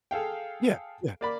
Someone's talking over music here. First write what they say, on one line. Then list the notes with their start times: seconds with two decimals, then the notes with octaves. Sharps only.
Yeah, yeah.
0.11 G#4 A4 F5 G5
1.21 A#3 D5 B5